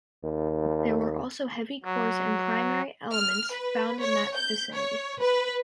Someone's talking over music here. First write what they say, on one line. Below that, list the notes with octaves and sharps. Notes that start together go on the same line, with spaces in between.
There were also heavy cores and primary elements found in that vicinity.
D#2
F#3
F6
B4
C#5
G6
C#5
B4